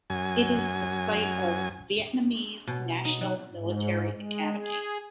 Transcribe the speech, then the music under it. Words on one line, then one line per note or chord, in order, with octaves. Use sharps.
It is the site of Vietnamese National Military Academy.
F#2 G#5
B2
D#4
F#3
G#2
G#3
G#4